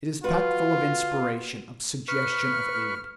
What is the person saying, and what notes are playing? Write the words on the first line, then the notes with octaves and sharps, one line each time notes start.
It is packed full of inspiration, of suggestion, of aid.
F4 F#4 B4
B4 C#6 F6